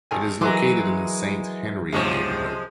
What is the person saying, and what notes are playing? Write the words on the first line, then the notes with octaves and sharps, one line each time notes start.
It is located in the Saint-Henri neighbourhood.
G#1 G#4 G#5
E3 F#3 G#3 A#4 C6 D6
E2 G#2 C3 F3 G#3 C#5